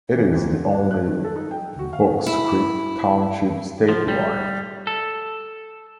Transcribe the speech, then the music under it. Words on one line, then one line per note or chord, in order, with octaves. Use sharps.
It is the only Bokescreek Township statewide.
E3
F2
D3
D4
F#6
D#3
A4
D#4
G5
F#4
F5
D#3
E4
F3
G3
A4